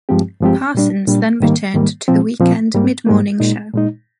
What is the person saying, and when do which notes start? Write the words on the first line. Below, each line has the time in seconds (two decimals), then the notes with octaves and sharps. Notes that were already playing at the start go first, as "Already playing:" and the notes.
Parsons then returned to the weekend mid-morning show.
0.09 G2 F3 G#3 C4 G4
0.41 G2 F3 G#3 C4 G4
0.75 A#2 G3 D4
1.07 A#2 G3 D4
1.40 G#2 D#3 G3 A#3
1.74 G#2 D#3 G3 A#3
2.08 A#2 F3 C4
2.40 A#2 F3 C4
2.74 G#2 G3 A#3
3.07 G#2 G3 A#3
3.40 A#2 G#3 D#4
3.74 A#2 G#3 D#4